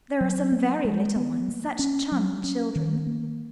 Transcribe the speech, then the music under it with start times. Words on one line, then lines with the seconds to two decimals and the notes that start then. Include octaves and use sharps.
There are some very little ones--such charming children.
0.21 F#3
0.52 A#3
0.85 G#3
1.16 B3
1.48 A#3
1.79 C#4
2.12 F#3
2.44 C#4
2.76 D#3
3.07 A#3